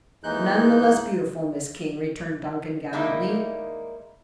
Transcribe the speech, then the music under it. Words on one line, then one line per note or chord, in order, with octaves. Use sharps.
"None the less beautiful, Miss King," returned Duncan gallantly.
D#2 E3 G#3 D#4 F#6 G6
D#3 G3 G#3 A#3 D#4 E4